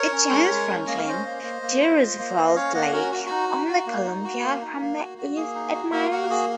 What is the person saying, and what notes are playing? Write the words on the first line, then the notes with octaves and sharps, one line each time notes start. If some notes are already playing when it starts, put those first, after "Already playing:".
It joins Franklin D. Roosevelt Lake on the Columbia from the east at Miles.
Already playing: A#4 C#5
C#4
G#3
G#3
C#4
A#3 D#5
F5
C#4 C5 D#5
A#3
A#3
A#3
F4
F4
A#3
A#3
D#5
C#4 C#5 F5
A#3 D#5 F#5
C#4 F#4 A#4
F#4
D#4 F#4
D#4
F#4
A#3
D#4
F#4
A#3
D#4
A#3
F#4
F#4
A#3 G#4
D#4
F#4
A#3 F#4 A#4
A#3 F#4 A#4
F#4 G#4